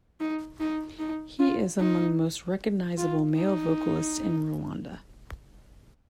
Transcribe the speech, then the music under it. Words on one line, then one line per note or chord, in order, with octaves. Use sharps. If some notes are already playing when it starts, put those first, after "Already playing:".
He is among the most recognizable male vocalists in Rwanda.
D#4
D#4
D#4
F4
D#4
F4
D#4